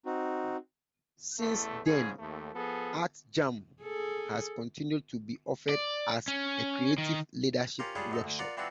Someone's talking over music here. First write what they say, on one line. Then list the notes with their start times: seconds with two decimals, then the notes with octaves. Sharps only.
Since then, "Art Jam" has continued to be offered as a creative leadership workshop.
0.06 C4 D#4 F#4
1.39 A1 E2 A3
1.86 F2 G#2 C#3 G#4
2.19 D#2 A3
2.53 F3 B3 G#4 A4
3.83 G#4 A4
5.69 D5
6.28 C#4
6.98 D#3
7.79 C#4 F4 G4 A#4 C5
7.95 G3 C#4 D4 F4 G#4
8.11 F#2 D#4 A4
8.24 D2
8.39 F4 A#4 D5 F#5
8.57 E3 C4 D4 F4 F#4